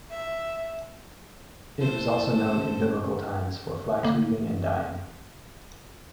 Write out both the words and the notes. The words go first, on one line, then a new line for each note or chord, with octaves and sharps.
It was also known in biblical times for flax weaving and dyeing.
E5
E4 A4 C5
C#4
D3 A#3